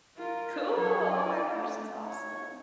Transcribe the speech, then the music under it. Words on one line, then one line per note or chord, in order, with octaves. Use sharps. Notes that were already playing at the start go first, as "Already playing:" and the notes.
Cool! Oh my gosh. That's awesome.
F4 A#4
F#3 C#5
D5 D#5
A3
C#5